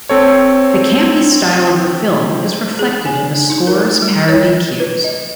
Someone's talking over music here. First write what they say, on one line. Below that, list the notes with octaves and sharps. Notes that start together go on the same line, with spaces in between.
The campy style of the film is reflected in the score's parody cues.
C4 A4 C#5
G#4
G#5
D#4
A#4
G3
C#5
B4
D#5